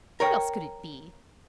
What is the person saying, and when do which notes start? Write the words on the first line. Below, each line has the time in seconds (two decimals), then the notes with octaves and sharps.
What else could it be?
0.20 A#4 C#5 G5